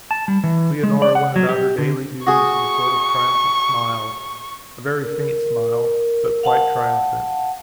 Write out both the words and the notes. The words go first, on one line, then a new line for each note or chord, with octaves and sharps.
Leonora went about her daily duties with a sort of triumphant smile--a very faint smile, but quite triumphant.
A5
G3
E3
G#3
D5
F#5
F#3
G4
D3
F#4 G#4 C#6
A#4
F5 F#5 A5